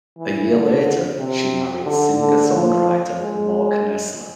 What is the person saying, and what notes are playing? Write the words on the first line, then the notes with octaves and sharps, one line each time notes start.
A year later, she married singer-songwriter Mark Nesler.
E3
D3
C3
D3
D3
F3
G#3